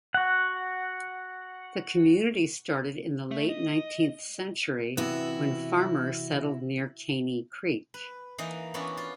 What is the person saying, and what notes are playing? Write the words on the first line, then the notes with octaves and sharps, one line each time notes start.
The community started in the late nineteenth century when farmers settled near Caney Creek.
F#4 F#5
A3
D#5
C3 E3 B3 E4 F#4
B4
E3 A#3 D#4 D#5
E3 B3 C#4 D4 E4 F#4
F4